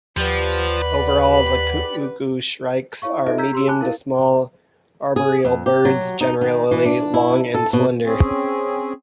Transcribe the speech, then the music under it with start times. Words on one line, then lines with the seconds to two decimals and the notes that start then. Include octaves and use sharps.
Overall the cuckooshrikes are medium to small arboreal birds, generally long and slender.
0.17 D#2 F3 G4 B4 D5 F#5
0.82 B5
3.02 E4 C#5 F5 C#6
3.27 D#4 F4 A4 C5 D#5 E5
3.38 A#5 E6 G6 G#6 B6
3.53 G4 C6 E6
3.67 G#5 A5 B5 D6 F#6
3.81 E4 A#4 F5 A6
5.16 G#4
5.45 F2
5.66 G4
5.85 F#3
6.21 D#4
6.41 D#3
6.71 E3
6.85 D4
7.14 E4
7.54 A4
7.73 B2
8.04 C4 C#4 G#4